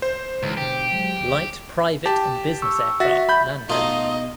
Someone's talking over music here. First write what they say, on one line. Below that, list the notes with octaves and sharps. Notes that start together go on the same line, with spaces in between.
Light private and business aircraft land there.
C5
C#2 G#2 D#3 E3
B2 D3 G4
F#3 G#3
D#2
G4 A5
C#6 E6
F#4 E5 A6 B6
B5 G6
B2 A3 D#4 F4 D#5 F5 C6